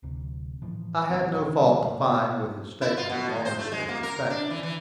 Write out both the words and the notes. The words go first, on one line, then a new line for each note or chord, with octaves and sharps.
I had no fault to find with his statement, as long as it was respectful.
D1 D2 C3
A2 E3 F3
E1 E2 A#2 C4
D#3 G3
A#2 A3 A#3
B2
E4
F4
B2
G#3
C5
A3
G#3
A#3
A#4
D4
E3
E3